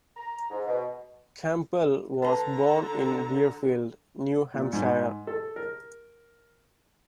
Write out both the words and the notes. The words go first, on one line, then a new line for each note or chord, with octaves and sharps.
Campbell was born in Deerfield, New Hampshire.
A#5
G#2
B2
D3 A4 B4 A5 A#5
A#2
G#2
A4
A#4